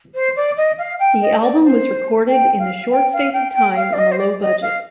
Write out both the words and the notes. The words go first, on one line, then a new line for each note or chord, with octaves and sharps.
The album was recorded in a short space of time on a low budget.
C5
D5
D#5
F5
G5
D#5
D5
C5
G5
F5
G5
F5
G5
G5
F5
D5
D#5
C5
D5
D#5
F5